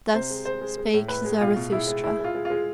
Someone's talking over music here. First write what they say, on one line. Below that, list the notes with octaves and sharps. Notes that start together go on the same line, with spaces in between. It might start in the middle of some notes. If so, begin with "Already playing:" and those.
Thus spake Zarathustra.
C3 C5
G#3
G#3 C5
G#3
G#3
A2
A2 B4
G#3
B2 F4
B2
G#3 E4
G#3
G#3 E4
G#3
F4
G#3
F4
G#3